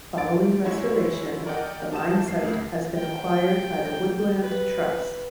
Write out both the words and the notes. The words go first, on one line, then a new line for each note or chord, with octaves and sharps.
Following restoration, the mine site has been acquired by the Woodland Trust.
A6 D7
F#3 G#3 E4 C#5
A#4 D5 D#5 F#5 G5
G4 A5 D#6 E7
D#2 C7
D2
G5
B4